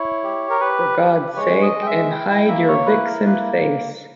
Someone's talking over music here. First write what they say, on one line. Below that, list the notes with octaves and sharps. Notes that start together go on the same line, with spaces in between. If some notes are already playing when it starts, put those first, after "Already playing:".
Begone, for God’s sake, and hide your vixen face!
Already playing: E4 C#5
G4
A#4
G4 B4
G4
G#3 C#5
D#5
G#3
G5
E5
E4 G5
G5
A#3 E5
C#5
E4 B4
A#4
A#3 B4